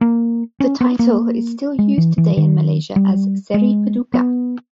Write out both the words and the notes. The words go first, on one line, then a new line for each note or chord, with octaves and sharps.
The title is still used today in Malaysia as "Seri Paduka".
A#3
C#4
B3
A#3
G#3
E3
E3
D#3
G3
G#3
B3